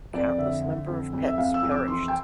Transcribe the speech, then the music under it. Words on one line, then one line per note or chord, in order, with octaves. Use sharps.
Countless number of pets perished.
F2 D5
D3 E5
D3
F2
F2
E5
F2 F5
E6
F2
D6
E3 C6
G5